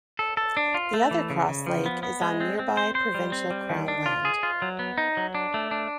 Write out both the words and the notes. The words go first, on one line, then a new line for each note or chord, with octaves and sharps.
The other Cross Lake is on nearby provincial Crown land.
A4
A4
D4
F4
A3
E3
C#3
C#3
F3
B3
B3
G#3
C4
C4
C5
C5
G3
C4
G3
D#3
D4
F4
G#4
F4
F#3
B3
D#4
F#3
D4
A3
D4